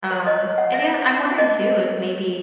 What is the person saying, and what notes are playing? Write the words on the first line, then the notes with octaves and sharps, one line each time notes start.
Um, and then I'm wondering too if maybe
C#5
D#5
C#5
F#5
E5
D#5